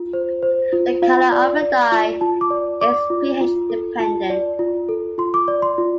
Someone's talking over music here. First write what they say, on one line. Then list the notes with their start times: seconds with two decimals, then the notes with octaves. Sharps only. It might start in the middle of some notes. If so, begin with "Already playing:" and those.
The color of the dye is pH-dependent.
Already playing: F4
0.13 C5
0.42 C5
0.73 F4
1.02 F4 F5
1.32 D5
1.62 D5
1.92 F4
2.21 F4 A5
2.41 D6
2.50 D5
2.81 D5 D6
3.10 F4
3.41 F4
3.70 A4
3.99 F4 A5
4.30 D5
4.59 F4
4.89 A4
5.18 F4 C6
5.34 D6
5.48 D5
5.62 C6
5.78 F4